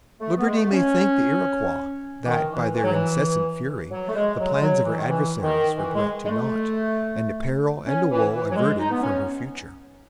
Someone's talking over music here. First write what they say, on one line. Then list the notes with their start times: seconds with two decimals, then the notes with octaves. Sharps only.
Liberty may thank the Iroquois, that, by their insensate fury, the plans of her adversary were brought to nought, and a peril and a woe averted from her future.
0.20 A3
0.37 B3
0.47 G#3
0.55 A3
0.72 C#4
2.24 E3
2.29 D#3
2.52 E3
2.75 E3
2.84 F#3
2.92 E3
3.91 F#3
4.08 A3
4.15 G#3
4.38 F#3
4.53 G#3
4.61 F#3
4.84 E3
4.97 D#3
5.08 E3
5.42 D#3
5.77 E3
5.94 G#3
6.25 G#3
6.29 A3
7.86 C#4
8.10 E3
8.32 E3
8.50 F#3
8.55 G#3
8.79 D#4
8.91 B3
9.02 C#4